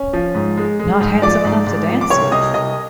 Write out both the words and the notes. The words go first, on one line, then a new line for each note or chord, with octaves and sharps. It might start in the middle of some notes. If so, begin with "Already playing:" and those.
Not handsome enough to dance with!
Already playing: C#4
F3
G#2
G#3
G#3
G#2
F3 D5 D6
G#2
G#2
F3
D6
C2 C#5 C#6
C2 D#5 D#6
C2 D#5 D#6